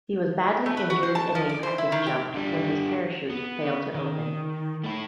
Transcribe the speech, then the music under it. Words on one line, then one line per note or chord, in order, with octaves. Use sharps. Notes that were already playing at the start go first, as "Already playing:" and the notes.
He was badly injured in a practice jump when his parachute failed to open.
A3
B4
F#4
C5
A5
F3
D5
C5
E4
D#3
G4
D3 G3
B3
D#3
A3 E4